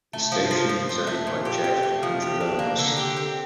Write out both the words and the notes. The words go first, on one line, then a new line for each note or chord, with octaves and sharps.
The station is owned by Jeff Andrulonis.
A3
F3
F3
F3
C4
A3
A#2
G4
C4
A3
F3
G4
D4
A#3
D3
G4
C4